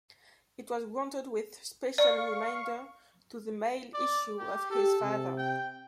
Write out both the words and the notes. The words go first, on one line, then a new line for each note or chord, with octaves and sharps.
It was granted with special remainder to the male issue of his father.
D5 F5 C#6
D5
G4
G4 A4
C3
G5